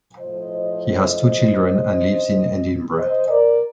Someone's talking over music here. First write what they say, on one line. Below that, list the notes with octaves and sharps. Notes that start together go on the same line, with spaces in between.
He has two children and lives in Edinburgh.
A2 F3 C5 D#5
C5 D#5
A#4 D5